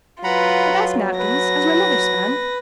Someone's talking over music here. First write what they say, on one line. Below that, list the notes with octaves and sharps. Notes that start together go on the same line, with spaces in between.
'The best napkins, as my mother span?'
F#3 F4 B4 F#5 A#5 B5
B4 A#6